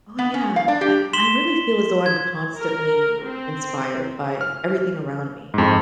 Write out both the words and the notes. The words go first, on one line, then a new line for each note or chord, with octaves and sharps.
Oh, yeah. I I really feel as though I'm constantly inspired by everything around me,
B3
C#4
F5
D4
G4
C6 B6 E7 F#7 G7
G#6
A#4
C4
F6
F2 G#2